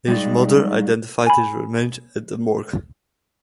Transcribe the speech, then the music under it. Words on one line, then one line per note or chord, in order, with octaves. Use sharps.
His mother identified his remains at the morgue.
G3 G#3 D#4 D5
G#5 B5